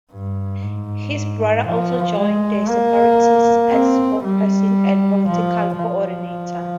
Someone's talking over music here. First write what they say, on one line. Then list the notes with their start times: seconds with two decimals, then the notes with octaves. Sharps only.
His brother also joined the separatists as spokesperson and political coordinator.
0.12 G2
0.63 G#2
1.67 F3
2.19 G#3
2.69 A#3
3.72 C4
4.24 G3
5.28 F3
5.78 F3